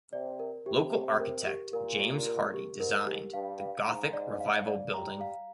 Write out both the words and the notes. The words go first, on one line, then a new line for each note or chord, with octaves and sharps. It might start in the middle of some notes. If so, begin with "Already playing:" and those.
Local architect James Hardie designed the Gothic Revival building.
C3 D5
A#4
C3 G4
G4
A#4
G4
A#2 A#4
G4
A#4
G4
G#2 A#4
G4
G2 F5
F5
G#2 A#5
D5
F5
D5
G3 A#5
F5